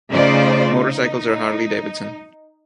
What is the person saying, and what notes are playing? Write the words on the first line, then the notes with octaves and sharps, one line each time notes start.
Motorcycles are Harley Davidson.
C#3 A3 D#4 F4 C5 D5
D#4